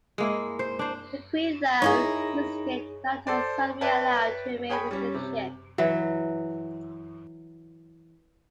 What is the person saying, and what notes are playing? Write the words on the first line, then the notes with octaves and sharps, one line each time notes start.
The Queen, though, insisted that her son be allowed to remain with his ship.
G#3 A#3 E4
C5
D4 C5
D#4 E4 G#4 A#4 C#5
A4 C5 D5
B4 C#5 D5 E5 G5 A5
G#4 C#5 G5 G#5 B5
G3 C#4
C3
E3 F#3